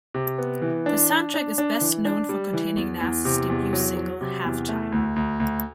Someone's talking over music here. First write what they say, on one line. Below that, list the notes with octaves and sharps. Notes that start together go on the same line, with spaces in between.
The soundtrack is best known for containing Nas's debut single "Halftime".
C3
B3
E3
D4
D4
D4
D4
E3
D4
G3
E3
E2
E2
C3
E2
F#3
F#3
C3
E2
A3
D2
D2
D2